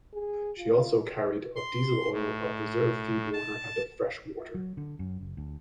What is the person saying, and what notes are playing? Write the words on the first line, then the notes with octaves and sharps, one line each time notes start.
She also carried of diesel oil, of reserve feed water and of freshwater.
G#4
F4
C6
A2
A5
F#3
D3
F#2
F#1
D2